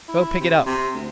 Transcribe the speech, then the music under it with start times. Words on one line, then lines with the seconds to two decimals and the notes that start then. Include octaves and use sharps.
Go pick it up!
0.08 E4
0.40 C3
0.66 C3
0.94 D2